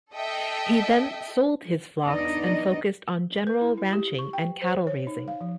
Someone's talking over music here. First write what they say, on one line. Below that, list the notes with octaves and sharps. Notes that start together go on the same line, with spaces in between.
He then sold his flocks and focused on general ranching and cattle raising.
A4 D#5 E5 G5
E2 B3 D4 D#4 D5 D#5
B4
E4
E4
G4
C#6
G5
C5
C#5
D#4
F5
F3